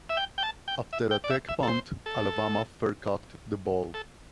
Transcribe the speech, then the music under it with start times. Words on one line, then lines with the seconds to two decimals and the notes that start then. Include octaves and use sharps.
After a Tech punt, Alabama fair-caught the ball.
0.09 E5
0.17 G5
0.38 G5
0.43 A5
0.68 G5
0.93 E5
1.11 G5
1.24 D5
1.30 E5
1.49 E5
1.63 A4
1.68 C5
2.06 A4
3.94 A4